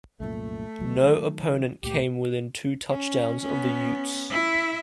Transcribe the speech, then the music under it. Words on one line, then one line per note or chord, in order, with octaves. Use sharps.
No opponent came within two touchdowns of the Utes.
C2 F#2 A#2 A3
D#1 D2 F#3
D#3 F#3
C#2 A#2 A3 G4
C#4
B3 C#4
E4 E5